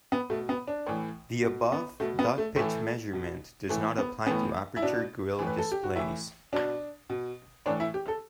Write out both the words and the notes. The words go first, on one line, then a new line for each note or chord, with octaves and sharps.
The above dot pitch measurement does not apply to aperture grille displays.
B3
B2 A3
B3
D4
A2 E3
B2
B3
B2 A3
B3
A3
A2 E3 A3
B2
A2 E3 A3
B3
A2 E3 B3
E4
B2 D4
A2 E3
B4
A4
G4
F#4
A2 E3 E4
B2 D4
B2
A2 E3 D4
E4
G4
A4